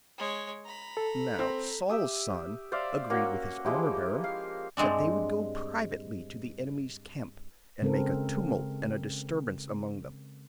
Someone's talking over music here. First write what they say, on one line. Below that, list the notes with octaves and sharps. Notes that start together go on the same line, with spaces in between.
Now Saul's son agreed with his armor-bearer, that they would go privately to the enemy's camp, and make a tumult and a disturbance among them.
G#3 C#5
A#5 B5
A4
C4
G4 E5 D#6
C5 D5 E5 F5
A#3 C#4 F#4
F3 G#3 E4 G4
F5
G2 G#3 C4 D4
C#3 G#3 C4 A4 A#4